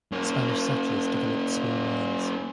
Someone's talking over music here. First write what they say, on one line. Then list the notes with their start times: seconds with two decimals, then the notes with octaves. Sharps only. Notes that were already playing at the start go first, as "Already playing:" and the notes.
Spanish settlers developed small mines.
0.12 A#3 C#4